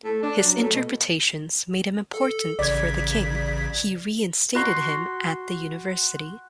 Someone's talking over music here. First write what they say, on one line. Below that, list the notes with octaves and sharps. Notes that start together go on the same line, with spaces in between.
His interpretations made him important for the King, he reinstated him at the university.
A3
D4
F#3
A3
B2
A4
A1 C#3 D5 G#6 B6
F#4 C6 C#6